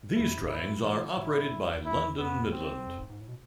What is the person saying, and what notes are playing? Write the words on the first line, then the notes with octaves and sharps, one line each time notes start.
These trains are operated by London Midland.
E2 E4
F2
G#2
E4
E3 F4
A2 E4
G#2
F2
E2
E4
E2
F2 B3
C4
F2
G#2
G#2
A2
B2